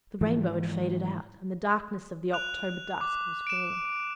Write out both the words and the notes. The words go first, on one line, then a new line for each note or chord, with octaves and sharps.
The rainbow had faded out, and the darkness of the October dusk was falling.
G#2 E3 F3
F#6 F7
D6
D7 E7